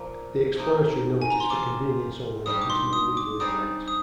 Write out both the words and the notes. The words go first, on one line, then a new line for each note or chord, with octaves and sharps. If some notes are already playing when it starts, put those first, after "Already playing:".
The explanatory note is for convenience only and has no legal effect.
Already playing: A#2 F3 A#3
C3 F3 A#3 D#4
G#5
A#5
C6
F3 C4 F4 C5 D6
G#2 G3 D4 G4 D#6
D6
C6
D#6
D6
G3 C4 D#4 G#4 D5 D#6
D#6